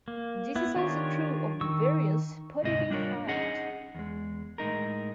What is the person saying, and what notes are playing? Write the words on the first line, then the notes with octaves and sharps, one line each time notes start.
This is also true of the various pottery found.
A#3
B3 E4
D#3 D4 F4 G4 C#5
D#3 C#6 E6
D2 G#2 C3 D#5
G3 D4 F4 A#4 C#5
C#4 D#4 G#4 D#5 F#5
E2 G#3
A2 G#3 D#4 A#4